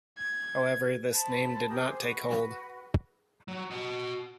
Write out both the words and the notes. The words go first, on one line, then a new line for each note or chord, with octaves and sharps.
However, this name did not take hold.
G#6
C5 A5 B5
G4 G#4 A#4 D#6
G#4 C5 D6
F#4 B4
F#3
F#4 D#5